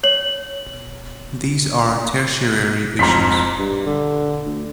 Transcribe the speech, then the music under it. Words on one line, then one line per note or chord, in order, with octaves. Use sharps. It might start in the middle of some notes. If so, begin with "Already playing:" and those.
These are tertiary issues.
C#5 F#7
F2 G#2 A#5 C6 B6
G2
D3
D2